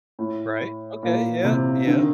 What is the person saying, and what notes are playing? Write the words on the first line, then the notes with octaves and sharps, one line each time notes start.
Right. Okay, yep, yep.
A2
A#2
C3
D3
D#3